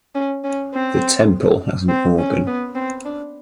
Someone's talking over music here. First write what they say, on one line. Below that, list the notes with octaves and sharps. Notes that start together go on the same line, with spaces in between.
The temple has an organ.
C#4
C#4
C4
C4
C#4
B3
C4
D4